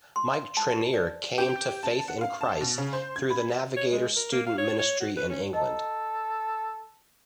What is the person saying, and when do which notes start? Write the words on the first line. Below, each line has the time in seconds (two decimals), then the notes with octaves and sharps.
Mike Treneer came to faith in Christ through the Navigator student ministry in England.
0.16 C6
0.57 A5
0.94 D5
1.38 G4
1.83 A5
2.08 F#5
2.21 F5
2.41 A5
2.61 B2
2.78 C#3
2.93 C5
3.16 G#6
3.30 B5
3.77 C#5
3.92 G#3
4.16 A#4
4.32 A#3
4.47 F5
4.58 C#5
4.79 C#5
5.00 F#4
5.17 B4
5.30 C#4
5.54 A4 D#5 A5 A#5